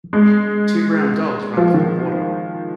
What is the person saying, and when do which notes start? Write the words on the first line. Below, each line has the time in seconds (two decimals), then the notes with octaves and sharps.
Two brown dogs runs through the water.
0.13 G#3
1.57 F3
1.74 D#3